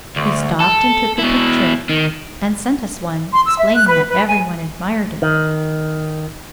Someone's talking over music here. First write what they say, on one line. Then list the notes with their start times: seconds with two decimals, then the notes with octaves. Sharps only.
He stopped and took the picture and sent us one, explaining that every one admired it.
0.16 D2
0.60 A4
1.19 B2 E4
1.90 D#3
3.31 C6
3.45 E6
3.58 E5
3.74 F#6
3.88 B4
4.08 B4
4.28 G#5
5.22 D#3